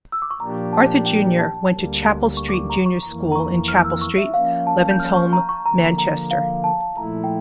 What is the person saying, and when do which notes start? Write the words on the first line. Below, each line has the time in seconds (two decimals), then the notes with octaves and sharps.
Arthur Junior went to Chapel Street Junior School in Chapel Street, Levenshulme, Manchester.
0.12 E6
0.22 D6
0.31 C#6
0.40 A#2 F3 A#3 D4 G4 A#5
0.73 A5
1.06 G5
1.39 A5
1.71 D2 D3 G3 A#3
2.37 C#6
2.49 D6
2.54 C#6
2.70 A#5
2.86 C#6
3.03 F2 E3 A#3 A#5
3.32 A#5
3.35 C#6
3.68 F6
3.84 E6
4.01 C#6
4.18 E5
4.34 F3 A#3 C#4 F5
4.67 A5
4.91 G6
5.00 F6
5.16 C#6
5.33 A#5
5.49 C#6
5.66 D3 F3 A#3 A#5
5.98 A#5
6.31 F5
6.64 A5
6.96 A#2 F3 A3 E4 A#5
7.24 G5